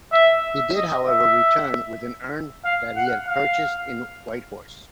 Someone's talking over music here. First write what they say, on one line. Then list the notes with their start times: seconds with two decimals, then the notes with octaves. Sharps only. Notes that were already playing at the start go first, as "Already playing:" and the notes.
He did however return with an urn that he had purchased in Whitehorse.
0.12 E5
0.75 D#5
1.08 E5
2.65 F5
2.96 F#5
3.27 F5